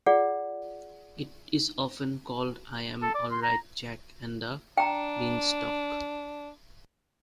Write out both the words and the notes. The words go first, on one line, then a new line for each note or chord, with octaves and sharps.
It is often called I'm Alright Jack and The Beanstalk.
F4 G#4 D5 F#5
A4
D5
C6
A#5
D4 G5 A#5